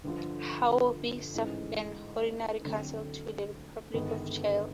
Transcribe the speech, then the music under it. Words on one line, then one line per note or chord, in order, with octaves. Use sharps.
Haughey served as an Honorary Consul to the Republic of Chile.
G1 G2 D3 F3
A1 G#2 E3 G#3
D2 D3 F#3 A3 C4
G1 G2 D#3 G#3 B3